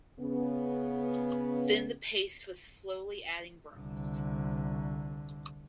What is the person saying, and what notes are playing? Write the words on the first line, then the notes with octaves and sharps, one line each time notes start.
Thin the paste with slowly adding broth.
C#3 B3
C2 D3